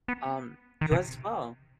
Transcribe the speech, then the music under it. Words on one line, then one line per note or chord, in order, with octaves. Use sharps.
um, you as well.
B3
D#3
C3